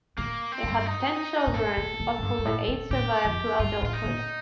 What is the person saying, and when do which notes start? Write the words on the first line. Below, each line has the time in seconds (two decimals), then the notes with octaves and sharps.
They had ten children, of whom eight survived to adulthood.
0.17 A2 A#3
0.52 C4
0.63 G2
0.86 D#4
1.47 A2
1.54 G2 A4
1.77 A2
2.00 A#2
2.18 A2
2.23 G2
2.39 G2
2.45 A2
2.68 A#2
2.90 A2 G4
3.25 F2
3.59 G2 F4
3.82 A2
3.85 F4
3.93 D#4
4.04 A#2